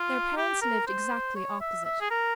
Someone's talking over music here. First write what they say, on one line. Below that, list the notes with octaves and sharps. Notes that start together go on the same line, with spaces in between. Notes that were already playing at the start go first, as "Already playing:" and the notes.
Their parents lived exactly opposite.
Already playing: F4
G4
A#4
C5
C#5
E5
E5
G#4
A#4